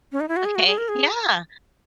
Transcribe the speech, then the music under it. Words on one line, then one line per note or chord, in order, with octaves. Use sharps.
Okay, yeah.
C#4
D#4
E4
F#4
G#4
F#4
G#4
A#4
G#4